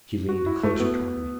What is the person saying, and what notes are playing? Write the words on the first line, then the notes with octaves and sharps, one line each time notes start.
She leaned closer toward me.
F#4
E4
A3
B3